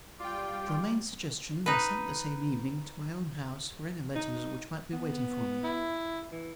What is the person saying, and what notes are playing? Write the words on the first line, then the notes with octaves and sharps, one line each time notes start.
At Romayne's suggestion, I sent the same evening to my own house for any letters which might be waiting for me.
G3 F4 D5 G5
D#4 B4
D#4
B3
E4
E3